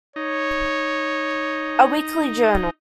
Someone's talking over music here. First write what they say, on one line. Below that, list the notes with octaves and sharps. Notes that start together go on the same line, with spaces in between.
A Weekly Journal.
D#4 C#5